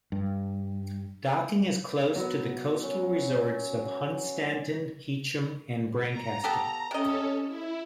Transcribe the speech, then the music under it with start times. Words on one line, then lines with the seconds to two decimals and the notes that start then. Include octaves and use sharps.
Docking is close to the coastal resorts of Hunstanton, Heacham and Brancaster.
0.12 G2
2.16 F#3 B3
2.84 C#4
6.08 A#5
6.44 B3 G4 A4
6.91 C3 C#4 A4 D#5
7.47 E4